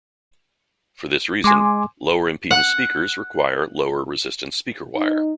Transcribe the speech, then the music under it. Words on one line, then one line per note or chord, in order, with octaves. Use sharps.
For this reason, lower impedance speakers require lower resistance speaker wire.
G#3 G#5 C6 D6
F#5
D#4